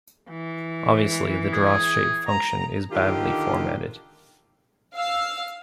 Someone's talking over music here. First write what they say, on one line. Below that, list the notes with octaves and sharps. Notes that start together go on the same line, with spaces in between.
Obviously, the DrawShape function is badly formatted.
E3
G#4
A#5
D3 D#3 F4 G4
F5 E6